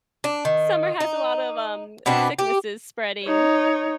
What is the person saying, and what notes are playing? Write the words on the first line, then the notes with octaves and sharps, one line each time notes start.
summer has a lot of um, sicknesses spreading."
D4
D#3
D#4
B2 B3 C4 D4
G4
D#4 C#5